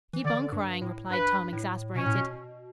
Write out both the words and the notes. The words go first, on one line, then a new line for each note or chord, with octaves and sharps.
"Keep on crying," replied Tom exasperated.
E3
D3 D5
G2
A2
G2 B4
A2
B2 C#4
A2
B2